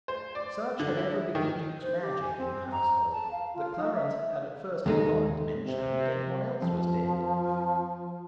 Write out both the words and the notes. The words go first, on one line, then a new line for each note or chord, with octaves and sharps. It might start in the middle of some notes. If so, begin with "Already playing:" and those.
Such had ever been the Duke's magic in the household that Clarence had at first forgotten to mention that any one else was dead.
C5
D5
D3
E4
D#3
C5
G4
G#5
C4
A#5
A5
F5
F4
D#4
E5
D#2 G#3 D#4 A4
C3
F2 F3